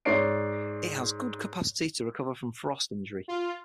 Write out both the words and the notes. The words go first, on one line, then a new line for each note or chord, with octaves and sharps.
It has good capacity to recover from frost injury.
G#2 C#5 D5 C7 D7
F4